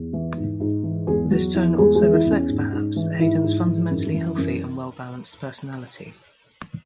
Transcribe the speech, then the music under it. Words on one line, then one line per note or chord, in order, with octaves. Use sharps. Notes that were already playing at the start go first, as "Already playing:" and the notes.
This tone also reflects, perhaps, Haydn's fundamentally healthy and well-balanced personality.
Already playing: E2
E3
G#2
G#2
E3
E2 G#3 G#4
F#3 F#4
E2 E4
E2 G#3 G#4
G#3 G#4
E3
E4
E2
C#4
G#2
G#2
E3
G#2 E4
G#2
E3
F#2
E3
F#2